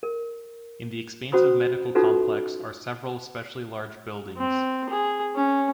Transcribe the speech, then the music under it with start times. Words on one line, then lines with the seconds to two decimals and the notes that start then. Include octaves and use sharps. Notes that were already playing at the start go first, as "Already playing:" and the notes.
In the expansive Medical Complex are several especially large buildings.
0.03 A#4
1.32 C#4 F#4 C5 B5 D#6
1.95 C#4 D#4 F4 F#4 A4 B4
4.37 C4
4.89 G#4
5.35 C#4